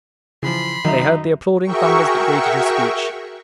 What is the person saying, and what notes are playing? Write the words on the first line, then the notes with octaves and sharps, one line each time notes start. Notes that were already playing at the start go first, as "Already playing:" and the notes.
They heard the applauding thunders that greeted his speech.
C#3 E3 F3 B5 C6
F#2 D#3 D#4 E5 A#5
F#4 G#4 A#4 E5 G5 C#6